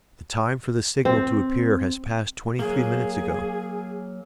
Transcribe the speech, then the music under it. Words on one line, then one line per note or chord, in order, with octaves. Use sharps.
The time for the signal to appear has passed twenty-three minutes ago.
C4
F#3 A#3 G#4